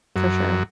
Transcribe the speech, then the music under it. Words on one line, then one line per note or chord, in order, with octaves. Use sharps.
for sure.
F#2